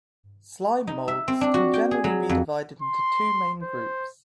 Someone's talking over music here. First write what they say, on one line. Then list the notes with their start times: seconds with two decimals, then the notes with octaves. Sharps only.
Slime molds can generally be divided into two main groups.
0.87 D#4
1.08 E5
1.28 C4
1.41 D4
1.54 F#4
1.74 G5
1.91 G#4
2.04 F#3
2.29 F2
2.82 C6
3.62 C5